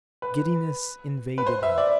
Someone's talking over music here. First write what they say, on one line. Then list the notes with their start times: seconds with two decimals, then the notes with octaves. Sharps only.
Giddiness invaded him.
0.22 B4
1.38 B4
1.46 C5
1.63 E5
1.78 D5